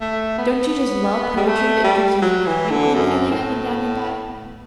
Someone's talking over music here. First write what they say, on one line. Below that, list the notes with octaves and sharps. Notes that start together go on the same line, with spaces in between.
Don't you just love poetry that gives you a crinkly feeling up and down your back?
A3
B3
G3
A3
G3
F#3
E3
D3
F#2
A2